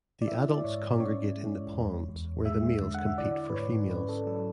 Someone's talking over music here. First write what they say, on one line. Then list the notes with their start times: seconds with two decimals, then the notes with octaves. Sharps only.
The adults congregate in the ponds, where the males compete for females.
0.22 D5
0.27 E4 E5
0.53 D5
0.64 G#2 C#5
0.93 D5
1.00 C#4 C#5
1.37 G#3
1.73 E2
2.09 E2
2.45 G#3 E5
2.81 D3
2.94 F#5
3.06 E5
3.18 E4 D5
3.50 B4
3.54 G#2 C#5
3.90 C#4 B4
4.09 A4
4.27 F#3 A4